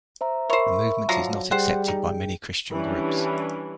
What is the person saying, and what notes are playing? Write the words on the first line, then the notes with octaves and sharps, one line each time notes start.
The movement is not accepted by many Christian groups.
C5 E5 A#5
A#4 C5 C#5 E5 B5 C#6
D3 F3 F#3 A#5
G3 G#4 C5 F#5 G5
D#4
E3 G3 C#4 D4